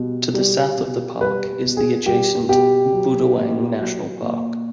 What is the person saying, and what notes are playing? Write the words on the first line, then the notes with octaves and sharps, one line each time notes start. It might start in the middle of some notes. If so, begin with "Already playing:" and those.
To the south of the park is the adjacent Budawang National Park.
Already playing: B2 G3
G3
B2
G3 B4
B2
G#4
G3 G4
B2 G4
F#3
A#2
F#3
A#2